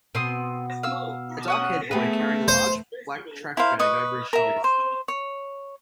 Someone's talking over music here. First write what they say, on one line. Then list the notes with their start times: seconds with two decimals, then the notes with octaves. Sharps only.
A darkhaired boy carrying a large black trash bag over his shoulder.
0.15 B2 B3 C4 C6 D#6
0.83 F5 E6
1.48 C#4 F#5 D#6
1.91 A3 B3 G#4 B4
2.48 C5
3.57 E4 A#4 C5 F5
3.79 B4 D#5 C#6
4.33 A#4 E5
4.64 C5
5.08 C#5